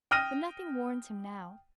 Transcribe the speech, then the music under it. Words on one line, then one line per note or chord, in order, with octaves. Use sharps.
But nothing warns him now.
G5 D#6 F6 A#6 D#7